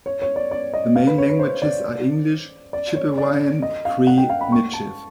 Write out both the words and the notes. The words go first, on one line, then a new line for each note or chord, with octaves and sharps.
The main languages are English, Chipewyan, Cree, Michif.
C#5
C#5
D5
D5
D#5
F5
B4
C#5
B4
C5
D5
D5
C#5
D5
D#5
F5
F#5
G5
F5
B5
C#6
A5